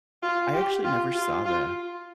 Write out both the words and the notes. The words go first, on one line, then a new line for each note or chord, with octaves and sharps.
I actually never saw the
F4
G4
F4
F4
F4